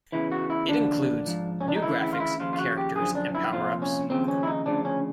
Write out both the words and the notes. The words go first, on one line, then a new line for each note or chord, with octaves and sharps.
It includes "new graphics, characters and power-ups".
E2 C#3 E3 E4
F#4
E4
D#2 D3 F3 D4
G#2 F3
C#4
D4
D#4
D2 C#3 E3 E4
E4
F4
E4
D#2 C#3 F3 F4
F4
F#4
G4
F#2 D3 F3 G#4
D4
E4
C2 A#2 F3 F4
C#4
D#2 C#3 F3 C4
C#4
E4
D#4
D2 C#3 F3 D4
C#4